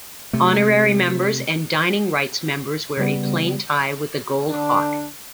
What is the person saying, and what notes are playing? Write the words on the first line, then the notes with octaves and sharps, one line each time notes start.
Honorary members and Dining rights members wear a plain tie with a gold Hawk.
C3 A3
C#3 G3 B3
D3 D4